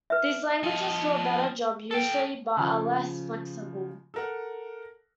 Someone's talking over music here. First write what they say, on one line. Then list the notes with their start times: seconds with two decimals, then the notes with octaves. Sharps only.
These languages do a better job usually, but are less flexible.
0.10 B4 E5
0.63 F3 D#5
1.91 A4 G5
2.57 C#3 F3 F4
4.14 A4 A#4 F#5